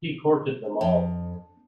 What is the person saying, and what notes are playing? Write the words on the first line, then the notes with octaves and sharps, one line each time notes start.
He courted them all.
F2